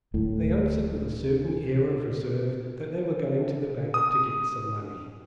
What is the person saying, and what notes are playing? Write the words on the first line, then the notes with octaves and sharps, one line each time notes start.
They answered with a certain air of reserve that they were going to the bank to get some money.
D1 A2
D#6